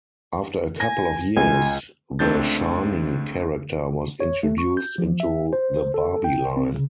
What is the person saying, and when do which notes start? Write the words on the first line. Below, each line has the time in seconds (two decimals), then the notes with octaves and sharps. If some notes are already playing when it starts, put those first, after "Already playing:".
After a couple of years the Shani character was introduced into the Barbie line.
0.80 G#5 A#6
1.37 C#2 G#5
2.19 C#2 A3 C4 D4 G6 A6
4.20 C#5
4.43 A3
4.58 C#6
4.77 G6
4.98 F3
5.20 E5
5.53 C5
5.94 A4
6.24 G5
6.57 C4
6.74 C#3